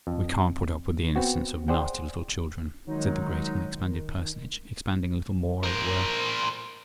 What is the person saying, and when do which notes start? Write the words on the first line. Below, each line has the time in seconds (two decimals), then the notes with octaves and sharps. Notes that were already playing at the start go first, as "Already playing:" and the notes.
"We can't put up with the innocence of nasty little children," said the great and expanded personage, expanding a little more, as it were.
0.07 F2
1.16 B3 C4 F#4
1.68 G#4 C5 D5 F#5 G5
2.87 D#3 F#3 G#3 D#4
5.64 A#4 C5